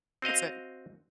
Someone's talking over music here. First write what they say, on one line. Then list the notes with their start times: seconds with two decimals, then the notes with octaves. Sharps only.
That's it.
0.22 C4 F#4 D#5 F5